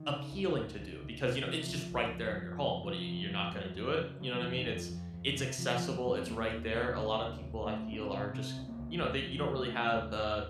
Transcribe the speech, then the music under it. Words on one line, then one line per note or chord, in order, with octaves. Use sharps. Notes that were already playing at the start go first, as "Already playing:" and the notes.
appealing to do because, you know, it's just right there in your home. W what are y you you're not gonna do it, you know what I mean? It's it's accessible it's right there, a lotta people I feel are just, you know that you don't really have, uh,
Already playing: D#3
C#3
C#2
C#2
C#2
C#2
C3
C3 F3
D#3
F3
C#2
C#2
F2
F2
C3
C3 F3
F2
F2
F2 F#3
F2
C#3
C#3 F#3
F3
F2
D#3
F2
F3
F2
F2
C3
C3 F3
F3
F2
F#3
F2
C4
D#2 A#3
D#2
C#3
C#3
D#2
D#2
C#2 A3
C#2 C#4
C4
C3
C3 C4
C#2
A#3
C#2
D#2 A3
F3
D#2
F3
C#3
A3
C#3
D#2
D#2